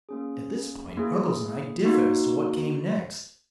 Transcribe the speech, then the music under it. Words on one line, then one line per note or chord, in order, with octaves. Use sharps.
At this point Ruggles and I differ as to what came next.
A#3 C#4 G#4
A#3 E4 G#4
A#3 D#4 F#4